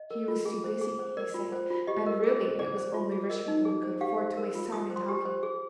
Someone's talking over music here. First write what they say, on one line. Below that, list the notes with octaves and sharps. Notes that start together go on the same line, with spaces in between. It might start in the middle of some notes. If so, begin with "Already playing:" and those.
'He was too busy,' he said, 'and really it was only rich people who could afford to waste time in talking.'
Already playing: D#5
A#4
F4
G#4
C5
G#4
C5
A#4 D5
F4
C5
F4
G4 D#5
A#4
G#4
C5
G#4 D5
C5
F4
G#4
A#4 D#5
D#4
G#4
C5
G4 F5
C5
A#4
F4
F4 D#6
C5
C6
G4
C5
G#4